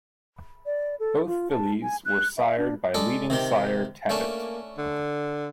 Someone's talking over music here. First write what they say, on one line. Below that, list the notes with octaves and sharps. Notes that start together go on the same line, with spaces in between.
Both fillies were sired by leading sire Tapit.
D5
A4
F4
A5
G#5
F#6
E5
D4
G#3 A4 D5
C3 D#3 G4
A3 A#3 C#4 D4
D3